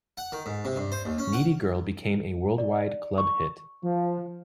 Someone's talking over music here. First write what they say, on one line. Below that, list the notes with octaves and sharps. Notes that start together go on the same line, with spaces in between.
"Needy Girl" became a worldwide club hit.
F#5
D#3
G#2
C3
G2
C5
D#2
C#4
F#5
D5
C#6
F3